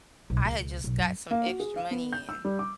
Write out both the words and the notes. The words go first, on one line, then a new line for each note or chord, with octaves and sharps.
I had just got some extra money in,
B1
C#2
B1
F#2
A#3
F#4
G#4
F5
B3
G6
E6
G3
D6